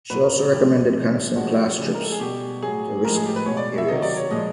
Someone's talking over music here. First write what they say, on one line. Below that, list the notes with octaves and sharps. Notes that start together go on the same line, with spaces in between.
She also recommended cancelling class trips to risk areas.
A#2 F#3 B4
A#4
A2 F3 G#3 G4
C3 E3 G#3
A#2 F3 G#3 F#4
C#3 F3 G#3 G4
A#4
A4
G#4
B2 G3 G4
A2 F#3 G#4
A2 F3 G#3 A#4
G#4
G4
B4
B2 G#3 C#5
D5
E5
C3 D#3 F#3 D#5
D5
C#5
A#2 F3 G#3 D#5